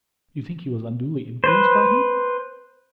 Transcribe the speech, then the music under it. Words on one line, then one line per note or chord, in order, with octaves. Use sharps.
"You think he was unduly influenced by him?"
B4 C5